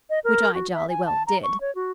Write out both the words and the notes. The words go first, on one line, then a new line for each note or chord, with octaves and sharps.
Which I jolly well did.
D#5
A#4
F#4
E5
G#5
A5
A#5
C#6
C#5
F#4